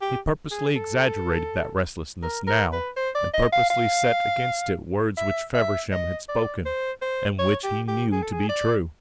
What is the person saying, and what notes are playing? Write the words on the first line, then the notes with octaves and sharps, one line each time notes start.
He purposely exaggerated that restlessness now, and purposely set against it words which Feversham had spoken and which he knew to be true.
G4
G#4
A4
A#4
A#4
B4
C5
D5
D#5
F5
F5
E5
E5
D#5
D5
C5
C5
C#5
G4
G4
G#4
A4
G#4
D5